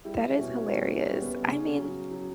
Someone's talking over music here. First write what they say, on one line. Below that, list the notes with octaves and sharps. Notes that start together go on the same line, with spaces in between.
That is hilarious. I mean,
G3 E4
B2 C#4
G3
C#4
G3
B3
C#3 C#4
F#3
F#3